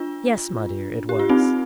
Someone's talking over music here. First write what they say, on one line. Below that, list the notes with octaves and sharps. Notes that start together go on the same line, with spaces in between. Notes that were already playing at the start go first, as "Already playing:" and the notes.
'Yes, my dear, it was.'
Already playing: D4 F4
G4
F4
C4 D#4